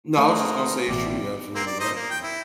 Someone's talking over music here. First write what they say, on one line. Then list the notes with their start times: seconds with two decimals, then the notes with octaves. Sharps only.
No, I was just gonna say it's true, you're absolutely right, yeah.
0.18 A3 G#4 A#4 C5 F#5
0.89 A1 B2 G4 D5 E5
1.55 A#3 C4
1.67 D5
1.80 D#4 C5 D#5
1.96 A#3
2.10 G5
2.23 E4